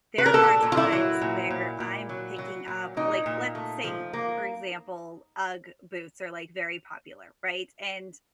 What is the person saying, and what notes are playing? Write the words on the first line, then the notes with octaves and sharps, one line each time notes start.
there are times where I'm picking up, like, let's say, for example, UGG boots are like very popular, right? And
B4
A#4
A#2 A4
A#2
F4
E4
F#3
A#2
A#2
A#2
F#3
F#3
A#2
A#2 D#4
A#2
A3
F3
A#3